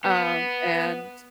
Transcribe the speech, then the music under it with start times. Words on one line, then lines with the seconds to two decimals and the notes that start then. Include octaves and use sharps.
Um, and,
0.05 B3